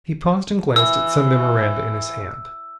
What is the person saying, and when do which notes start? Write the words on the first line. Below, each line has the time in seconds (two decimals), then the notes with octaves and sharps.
He paused and glanced at some memoranda in his hand.
0.76 E3 E6